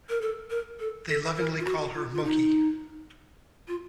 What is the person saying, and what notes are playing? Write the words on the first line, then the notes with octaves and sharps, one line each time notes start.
They lovingly call her Monkey.
A#4
A4
A#4
A4
A4
A#4
F4
F#4
F4
F4
D#4
F4